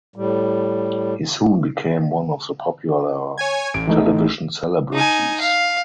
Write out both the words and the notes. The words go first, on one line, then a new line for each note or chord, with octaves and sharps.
He soon became one of the popular television celebrities.
A2 G3
C#5 G#5 G#6
A1 D7
E3 A3 D#4
D#4 G#5
F5